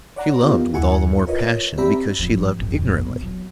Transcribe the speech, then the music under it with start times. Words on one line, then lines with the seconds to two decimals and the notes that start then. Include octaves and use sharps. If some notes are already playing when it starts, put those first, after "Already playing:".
She loved with all the more passion because she loved ignorantly.
0.16 C#5 D5 F#5 A#5
0.41 B3 D#4 F4 G4 A#4
0.73 D#2 E4 A4 F#5 G#5 C#7
1.27 F4 A#4 B4 C#5 D#5
1.77 C4 G4 D5 E5 A#5 B5
2.19 G#1 F3
2.59 F#1 G#2
2.73 F2 A#2
2.94 B2
3.22 F#3